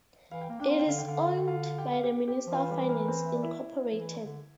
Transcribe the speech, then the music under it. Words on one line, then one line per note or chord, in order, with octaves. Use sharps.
It is owned by the Minister of Finance Incorporated.
E3 F5
G5
A#3 F5
D4 G5
C4 F5
G5
D3 F5
G5
D3 F5
G5
F5
G5
F4 F5
G4 G5
F5
G4 G5
G4 G5
F3
E3 F4 F5
G3 G4
A#3 A#4
C4 C5
E5
D5
E4 E5
F3
E3
D3